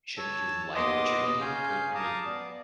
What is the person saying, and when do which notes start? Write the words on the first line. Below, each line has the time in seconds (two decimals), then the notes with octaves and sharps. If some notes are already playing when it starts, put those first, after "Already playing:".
shouldn't you like what you're eating? 'Cau I mean, y
0.18 C#5 A5 E6
0.75 D#2 B3 D#5 C6 D6 D#6
1.41 C#3 C#4 F5 G#5 G6
1.95 F5 A5 A#5 D6 D#6
2.26 B3 D5